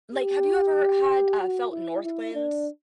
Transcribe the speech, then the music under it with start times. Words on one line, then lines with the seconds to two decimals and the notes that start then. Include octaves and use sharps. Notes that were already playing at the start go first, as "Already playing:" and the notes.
Like, have you ever had uh, felt north winds?
0.14 G4
1.41 F#4
1.71 E4
2.04 E4
2.34 D4